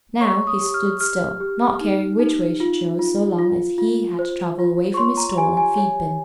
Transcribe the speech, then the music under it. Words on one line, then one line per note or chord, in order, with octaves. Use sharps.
Now he stood still, not caring which way she chose so long as he had to travel away from his stall and feed-bin.
C#5 C#6
D#6
G4
F6
G4 F6
G4
D#4
D#4
F4
F4
F4
F4
C5
F4
C#6
C#5 C6
A#5
G4 G#5
G#5
C#5 G#5